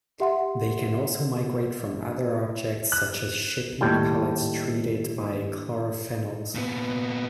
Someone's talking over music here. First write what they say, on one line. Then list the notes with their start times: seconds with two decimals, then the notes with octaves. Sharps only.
They can also migrate from other objects such as shipping pallets treated by chlorophenols.
0.20 G4 E5 F#5 C6
2.92 F#6
3.81 D#2 A2 G3 G5
6.55 A#2 B3